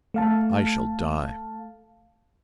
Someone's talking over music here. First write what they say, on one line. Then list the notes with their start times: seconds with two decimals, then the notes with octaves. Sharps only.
I shall die!
0.14 A3 F5 A5